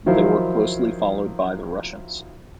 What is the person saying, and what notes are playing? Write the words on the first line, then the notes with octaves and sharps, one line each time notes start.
They were closely followed by the Russians.
D#3 F3 F#3 E4 F4 C5